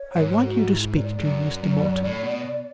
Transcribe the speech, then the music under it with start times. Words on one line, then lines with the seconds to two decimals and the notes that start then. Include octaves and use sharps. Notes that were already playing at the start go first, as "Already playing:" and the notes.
'I want you to speak to Mr. Moulton....
Already playing: C#5
0.17 G#2
0.44 F#4
0.71 E4
0.97 D5
1.19 G#2
1.24 F#2
1.63 F#2
2.04 A2
2.23 B2